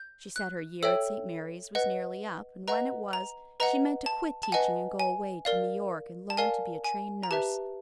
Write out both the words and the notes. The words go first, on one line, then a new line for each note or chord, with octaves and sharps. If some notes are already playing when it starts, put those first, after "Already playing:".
She said her year at St. Mary's was nearly up, and when it was she meant to quit teaching and go away to New York and learn to be a trained nurse.
Already playing: G6
F#6
A4 C#5 E5 G5 E6
B4 D#5 F#5
B4 D#5 F#5 A#5
A#5
B4 D#5 F#5 A#5
A5
A5
B4 D#5 F#5 G#5
G#5
A#4 D5 F5
A5
A#4 D5 F5 G#5
G#5
A#5
G4 B4 E5 A5